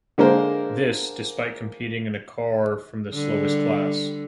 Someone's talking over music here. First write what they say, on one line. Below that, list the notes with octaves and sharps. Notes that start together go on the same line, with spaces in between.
This, despite competing in a car from the slowest class.
D3 G#3 A#3 A#4 C5
D3 G3